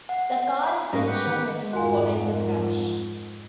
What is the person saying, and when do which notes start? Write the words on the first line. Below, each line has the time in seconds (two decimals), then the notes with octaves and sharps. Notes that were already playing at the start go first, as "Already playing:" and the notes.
The car is then shown again following the crash.
0.09 F#5
0.93 G#2 G3 C#4 F#4 D#5
1.07 G4 B4 F#5
1.26 D#3
1.73 F2 G#2 F4 F#4 A#4 F#5 G#5